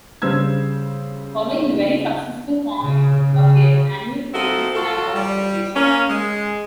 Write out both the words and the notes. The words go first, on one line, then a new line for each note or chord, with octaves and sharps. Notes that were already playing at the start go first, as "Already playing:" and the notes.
Following the very successful format of their Annual Ladies Night Out celebration...
C#3 G3 C5 E6 G#6
C#3
C#3
A#3 C4 D#4 E4 F#4 A4
F3 F4 F#4 A4
G3
A#3 C#4
G#3